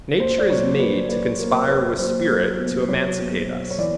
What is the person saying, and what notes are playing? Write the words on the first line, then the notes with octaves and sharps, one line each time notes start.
Nature is made to conspire with spirit to emancipate us.
D#2 C5
D5
F#3 C#5
A#3 B4
D#2 B4
A#3 A#4
D#2 B4
F#3 C5
F#3
B2
F#3 C#5
B2
B2
C#5
E3 D5